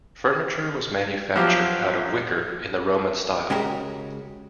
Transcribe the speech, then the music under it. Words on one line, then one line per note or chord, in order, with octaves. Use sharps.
Furniture was manufactured out of wicker in the Roman style.
F3 F#3 F4 G4
C#3 G#3 F#4 G4 A#4